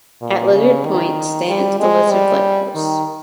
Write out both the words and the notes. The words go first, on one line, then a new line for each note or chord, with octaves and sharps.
At Lizard Point stands the Lizard Lighthouse.
A#2
C#3
D#3
G3
G#3
G3
D#3